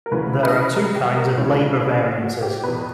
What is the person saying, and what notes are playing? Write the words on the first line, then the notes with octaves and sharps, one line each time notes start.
There are two kinds of labour variances.
A#4
D2 C#3 E3 B4
B4
A#4
G4
A#4
C#2 C#3 E3 C#4
D4
E4
F#4
G4
E2 B2 B4